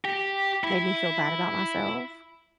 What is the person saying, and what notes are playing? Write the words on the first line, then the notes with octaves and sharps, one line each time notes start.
made me feel bad about myself,
G4
E4